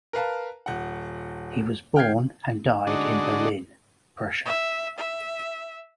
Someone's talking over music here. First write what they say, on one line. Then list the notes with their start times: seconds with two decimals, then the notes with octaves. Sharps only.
He was born and died in Berlin, Prussia.
0.13 A#4 B4 F5 A5
0.66 D#1 F#5
1.96 G5 F6 G6 G#6 C7
2.87 D3 G#3 D4 D#4 F#4
4.45 E5
4.98 E5